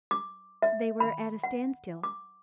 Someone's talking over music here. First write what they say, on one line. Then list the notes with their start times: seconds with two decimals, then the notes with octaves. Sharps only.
They were at a standstill.
0.11 D6
0.62 E5
1.00 B5
1.43 F#5
2.04 D6